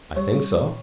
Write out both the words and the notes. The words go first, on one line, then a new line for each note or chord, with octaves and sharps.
"I think so."
G3 C#5
A#2